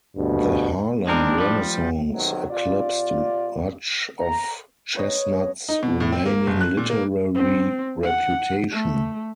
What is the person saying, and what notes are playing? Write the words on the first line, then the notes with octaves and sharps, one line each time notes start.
The Harlem Renaissance eclipsed much of Chesnutt's remaining literary reputation.
D2 G2 B2
G#3 C4 D4 A#4
F3 G3
B1 C3 D#3 F#3
C3 F4 D5
A#5
B4 C#5 D#5
D#4
B2
A2
C4
A#3
F#1
F#6
A#2
A#3
C4
F#5
A3